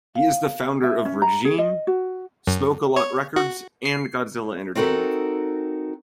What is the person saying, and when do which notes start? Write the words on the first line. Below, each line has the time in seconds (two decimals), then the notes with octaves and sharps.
He is the founder of The Regime, Smoke-A-Lot Records and Godzilla Entertainment.
0.16 F5
0.83 E5
1.05 C#4
1.22 A#5
1.45 G#4
1.58 D#5
1.87 F#4
2.47 F#2
2.96 C#5
3.36 F#4
3.85 C7
4.75 C4 D#4 F#4 A4 A#4